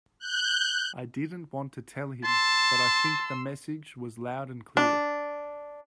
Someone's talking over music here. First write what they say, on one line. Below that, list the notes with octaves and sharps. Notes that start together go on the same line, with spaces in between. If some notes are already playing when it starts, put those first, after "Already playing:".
I didn't want to tell him, but I think the message was loud and clear.
F#6 G6
A5 C6 E6
D4